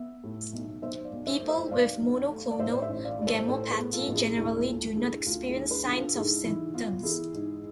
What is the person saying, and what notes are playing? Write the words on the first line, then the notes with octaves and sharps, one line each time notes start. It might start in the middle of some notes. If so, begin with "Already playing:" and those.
People with monoclonal gammopathy generally do not experience signs or symptoms.
Already playing: B3 E5
A2
B1
B1 C5 E5
D5 F5
B1
C5 E5
A3
C5 E5
B1 D5 F5
B1
A3
D5
A2 C5 E5
D5
C5 E5
A1
D5 F5
A2 D5
A4 C5
A2 A4 C5
C5
G#4 B4
B3
F4 A4
A1
E4 G#4
D2 E4 G#4
A3 F4 A4
D3 E4 G#4
D2 F4
E4 G#4
D3
G#4 B4
D3
F4 A4
A4
G#2 E4 G#4
E3 E4
B3 F4
E3 E4 G#4
G#2